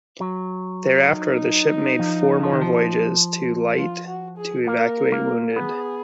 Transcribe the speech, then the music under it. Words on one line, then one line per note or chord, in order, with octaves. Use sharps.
Thereafter the ship made four more voyages to Leyte to evacuate wounded.
F#3
D#4
F3
F3
D#3
F3
F4
F#4
G#4
A#3 A#4
A#3
B3 G#4